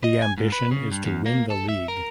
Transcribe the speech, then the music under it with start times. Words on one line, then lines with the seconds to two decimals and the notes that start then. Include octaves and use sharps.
The ambition is to win the league.
0.04 D#5
0.22 G#5
0.38 G#2
0.52 B4
0.71 C#3
0.91 G2
1.05 E2
1.26 A#3
1.50 A4
1.69 E5
1.88 A#4